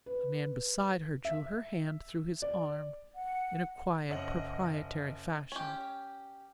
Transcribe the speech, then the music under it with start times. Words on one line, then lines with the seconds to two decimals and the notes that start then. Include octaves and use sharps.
A man beside her drew her hand through his arm in a quiet proprietary fashion.
0.06 B4
1.25 E5
2.42 D5
3.14 F#5
4.09 F#1 C#4 D#5 F#5 F#7
5.52 C#4 G4